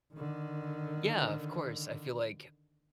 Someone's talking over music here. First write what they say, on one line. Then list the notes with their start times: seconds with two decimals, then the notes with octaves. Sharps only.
Yeah, of course. I feel like
0.14 D3 D#3